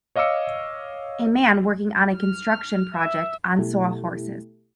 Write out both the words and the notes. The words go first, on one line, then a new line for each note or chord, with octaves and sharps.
A man working on a construction project on saw horses.
C#5 D#5 F5 D6 E6 C#7
F6
E5
B2 A3 E4 G4 A4